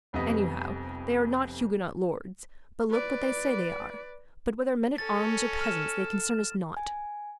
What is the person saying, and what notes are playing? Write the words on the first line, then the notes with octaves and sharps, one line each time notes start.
Anyhow they are not Huguenot lords, but look what they say they are; but whether men-at-arms, or peasants, they concern us not.
F1 F2 G3 B3 D#5 B6
B4 D5
C#4 A4 A6
F6 E7
G#5